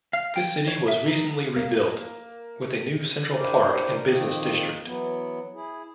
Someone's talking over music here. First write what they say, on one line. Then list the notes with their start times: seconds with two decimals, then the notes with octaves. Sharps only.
This city was recently rebuilt, with a new central park and business district.
0.13 F5
0.36 G5
0.68 C#5
0.88 E5
1.08 D#4
1.56 A#3
3.35 D4 E4 G4 A#4 C5
4.06 F2 D#3 A#3 C4 D#5
4.84 E3 F#3 B3
5.53 E4 G#4